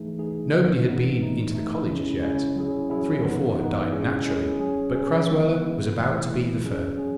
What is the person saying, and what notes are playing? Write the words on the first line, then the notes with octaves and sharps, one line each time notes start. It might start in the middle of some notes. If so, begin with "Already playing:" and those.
Nobody had been into the college as yet. Three or four had died naturally, but Crasweller was about to be the first.
Already playing: E3 A3 D#4 G#4
E3 A3 D#4 G#4
C#3 E3 B3 D#4
C#3 E3 B3 D#4
E3 A3 D#4
E3 A3 D#4
C#3 G#3 C#4 E4
C#3 G#3 C#4 E4
F#3 C#4 E4 G#4
F#3 C#4 E4 G#4
E3 B3 D#4
E3 B3 D#4
G#3 C#4 E4 G#4
G#3 C#4 E4 G#4
F#3 C#4 G#4
F#3 C#4 G#4
C#3 E3 G#3 B3 E4
C#3 E3 G#3 B3 E4
E3 A3 E4
E3 A3 E4
F#3 C#4 G#4
F#3 C#4 G#4